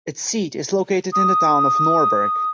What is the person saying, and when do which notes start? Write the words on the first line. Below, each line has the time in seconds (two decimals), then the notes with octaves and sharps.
Its seat is located in the town of Norberg.
1.13 D#6